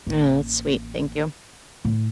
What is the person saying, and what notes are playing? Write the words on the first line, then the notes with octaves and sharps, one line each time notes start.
Oh, that's sweet, thank you.
A1 A#3
A2